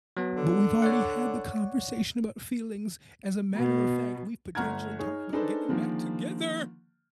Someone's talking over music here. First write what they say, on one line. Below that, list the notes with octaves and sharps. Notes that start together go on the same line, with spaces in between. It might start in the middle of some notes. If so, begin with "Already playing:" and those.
but, we've already had the conversation about feelings. As a matter of fact, we've potentially talked about getting back together.
F#3 B3
D3
C#5 D5 F#5
B2
G1 A3 F#5 A#5 F6 G#6
D#4 G#4 C#5
D4 D#4 G#4 A4 B4 C5
D3 D#3 F3 G#3 A#3